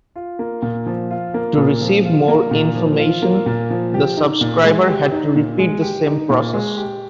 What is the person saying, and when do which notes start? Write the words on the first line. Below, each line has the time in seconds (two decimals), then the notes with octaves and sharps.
To receive more information the subscriber had to repeat the same process.
0.16 F4
0.39 A#3
0.62 A#2
0.86 F3
1.11 F4
1.34 A#3
1.57 A#2
1.81 F3
2.05 F4
2.28 A#3
2.51 A#2
2.75 F3
2.99 F4
3.22 A#3
3.46 A#2
3.70 F3
3.94 G4
4.17 D#4
4.41 A#2
4.64 G#3
4.88 G4
5.12 D#4
5.36 A#2
5.59 G#3
5.82 G4
6.06 D#4
6.30 A#2
6.53 G#3
6.77 G4